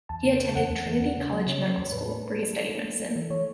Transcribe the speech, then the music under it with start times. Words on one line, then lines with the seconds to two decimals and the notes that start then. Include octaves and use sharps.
He attended Trinity College Medical School, where he studied medicine.
0.09 E2 A5
0.24 C#3
0.40 C#3
0.55 E2 F#5
0.70 E2
0.86 E3
1.01 E2
1.17 C#3
1.32 F#3
1.47 C#3 C#5
1.63 F#3
1.78 E2
1.92 A2 B4
2.08 A3
2.23 A3
2.39 A3 A4
2.53 A3
2.69 A3
2.85 A3
3.00 A3
3.16 E3
3.30 E3 C#5